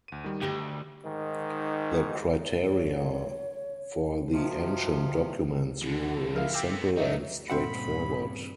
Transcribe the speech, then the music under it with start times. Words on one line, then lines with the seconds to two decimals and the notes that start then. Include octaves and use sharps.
The criteria for the Ancient Documents Rule is simple and straightforward.
0.08 D2 D#7
0.24 D#3 G3
0.42 D2 G4 D5 D#5 G5
1.05 G#2 D#3
2.65 C#5
4.32 C3 D#3 F3 F#4
5.81 D3 E3
6.35 F3 A#4 E5 F5
6.54 B3 C4 G5 D6 E6
6.97 F#3 A3 D#4 E5
7.50 G2 A#2 C#3 C4 E5 F#5 B5